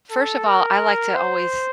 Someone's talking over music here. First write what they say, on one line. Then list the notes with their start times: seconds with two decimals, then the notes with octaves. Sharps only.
First of all, I like to always
0.11 A4
0.46 A#4
1.15 C5